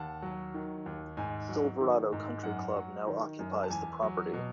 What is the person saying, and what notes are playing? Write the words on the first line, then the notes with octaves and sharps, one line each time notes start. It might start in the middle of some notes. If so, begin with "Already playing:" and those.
Silverado Country Club now occupies the property.
Already playing: D#2 F#5 A5
F#3
D#3
D#2
G#2 G#5
F#3
D#3
G#2
F#2 F#5
F#3
D#3
F#2
A5
E2 G#5
F#3
B2